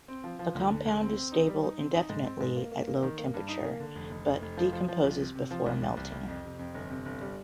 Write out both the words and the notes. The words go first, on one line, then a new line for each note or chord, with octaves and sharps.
The compound is stable indefinitely at low temperature, but decomposes before melting.
C4
F3
F3
D2
D3
D2
C4
C4
D#4
G3
D#4
C4
D#4
G#2
C4
G#2
A#3
A#3
A#3
D#3
A#3
G2
D#4
A#3
D3
F1
F1
F1
F1
F3
F3
F3
C2
C3
C3
F3
C2
C2
C2
C2
F2
C3
F2
G1
C3
G1
G3